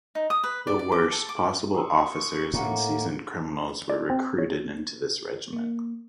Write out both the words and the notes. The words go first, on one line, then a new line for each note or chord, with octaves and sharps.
The worst possible officers and seasoned criminals were recruited into this regiment.
D#4
D#6
B4
D5
D5
D6
A4
D6
C6 C#6 D#6 E6
A2 A#3 E5 F#5
D5
C4
C#5
A#3